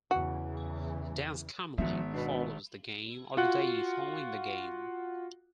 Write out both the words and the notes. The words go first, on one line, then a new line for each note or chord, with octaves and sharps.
A dance commonly follows the game or the day following the game.
E2 C#3 E3 F#4
G#1 F3 B3 D#4 F#4 E5
B2 D4 B4
F4 F#4 F#5 F#6